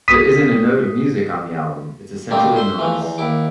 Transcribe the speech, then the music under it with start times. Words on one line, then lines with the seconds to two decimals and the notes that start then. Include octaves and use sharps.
There isn't a note of music on the album; it's essentially noise.
0.08 D#6 B6 D#7
2.31 G3 A3 A#3 C4 D4 D#4
2.56 C5 E5 C6
2.79 E3 F3 A3
3.01 E2
3.18 D#2 E4 D6